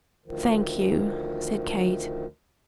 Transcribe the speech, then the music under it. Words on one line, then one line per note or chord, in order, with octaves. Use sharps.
"Thank you," said Kate.
D2 D#3 F3